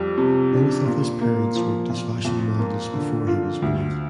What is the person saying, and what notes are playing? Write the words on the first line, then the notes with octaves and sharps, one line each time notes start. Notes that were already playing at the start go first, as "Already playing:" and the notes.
Both of his parents worked as fashion models before he was born.
Already playing: F2 G3
C3
D4
A#2
A#3
F3
A#2
F2
A#3
D3
F4
D2